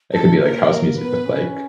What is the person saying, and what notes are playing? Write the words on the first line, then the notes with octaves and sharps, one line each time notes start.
It could be, like, house music with, like
G#3 A4
G#3
A3
A#3 A#4
B3 B4
C#4